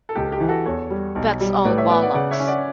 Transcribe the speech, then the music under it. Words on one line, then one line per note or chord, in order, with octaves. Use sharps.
That's all bollocks.
A4
C#2 G4
G4
E3
F#4 A4
E2 A4 C#5
G3
B1
G3
A2 B4 D5
C#5 E5
B3 D5 F#5
D5 F#5
C#3 D5 F#5
C#5 E5
C#4
D5 F#5